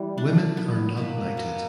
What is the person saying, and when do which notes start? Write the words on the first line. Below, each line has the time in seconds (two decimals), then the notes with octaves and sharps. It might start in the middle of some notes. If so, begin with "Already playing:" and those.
Women are not knighted.
Already playing: E3 G3
0.18 D4
0.57 B3
0.97 B2 A#3
1.37 B2